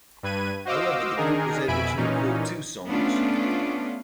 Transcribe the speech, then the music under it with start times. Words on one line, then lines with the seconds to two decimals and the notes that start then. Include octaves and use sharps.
However, the group was able to record two songs.
0.23 G2 B4 G#6 D#7
0.65 F#4 C5 D#5 F5 D6 E6
1.17 D#3 D4 D#4 G#4 A#4
1.68 F2 B2 E5 G#5 B5 D7
1.97 A#2 E3 C#4 D#4
2.87 A3 B3 C#4 D4 F4